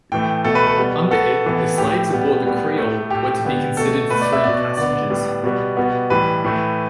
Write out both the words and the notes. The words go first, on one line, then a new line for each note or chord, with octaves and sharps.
Under it, the 'slaves' aboard the "Creole" were to be considered free passengers.
A2 E3 A3 G5
B2 A3 A4
B4
A4
B2 G3 B3
B2 B3 A4
A2 E3 B3
A2 A3 G4
A2 G3 B3
A2 G3 B3
A2 A3
A2 A3 G4
D3 B3
B2 A3 A4
B2 A3 B4
D5
E5
B2 B3 D5
D3 B3 D5
A2 G3 B3
B2 G3 B3
B2 G3 B3
A2 E3 G3 B4
A2 E3 A3